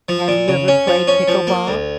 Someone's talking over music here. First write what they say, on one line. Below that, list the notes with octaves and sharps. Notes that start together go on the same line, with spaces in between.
Have you ever played pickleball?
F3
A#2
C#3
C#4
F3
C#4
F3
A#3
D2